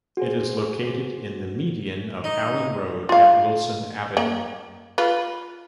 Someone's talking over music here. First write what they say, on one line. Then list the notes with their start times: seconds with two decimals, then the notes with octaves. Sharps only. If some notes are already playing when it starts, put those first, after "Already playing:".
It is located in the median of Allen Road at Wilson Avenue.
0.17 F#4 G#4 C5
2.24 D#4
3.09 F4 F5
4.17 A#3
4.98 F4 B4